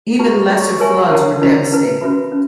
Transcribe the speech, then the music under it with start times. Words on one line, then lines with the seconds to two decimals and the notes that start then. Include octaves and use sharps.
Even lesser floods were devastating.
0.19 F#4 B4 F#5 A#5 C#6
0.50 F#4 C#5 E5 A#5 C#6
0.80 A#4 C#5 E5 G#5 C#6
1.11 E4 A#4 C#5 F#5 A#5
1.42 C#4 E4 A#4 D#5
1.71 C#4 E4 B4
2.01 C#4 F#4 B4 E5 B5
2.32 C#4